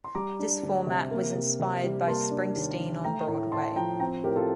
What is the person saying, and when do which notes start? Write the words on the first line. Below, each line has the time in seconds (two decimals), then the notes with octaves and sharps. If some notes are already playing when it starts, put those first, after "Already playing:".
This format was inspired by "Springsteen on Broadway".
0.04 C6
0.15 G3 A#5 D6
0.39 D4
0.63 D2
0.87 C3
1.11 A#3
1.35 C3
1.60 C3
1.84 G3
2.07 A#3 A5 C6
2.31 D4
2.56 D#2
2.80 D#3
3.04 A3 G5 A#5
3.27 A2
3.52 A2 A5 C6
3.76 F3 G5 A#5
4.00 C4 G5 A#5
4.24 A2 G4 A#4
4.36 F4 A4